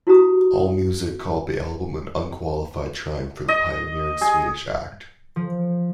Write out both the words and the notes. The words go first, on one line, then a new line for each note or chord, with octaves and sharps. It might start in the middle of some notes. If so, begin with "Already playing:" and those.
AllMusic called the album an unqualified triumph for the pioneering Swedish act.
E4 F#4 G4 A#5 D#6
D#5
G#4
F3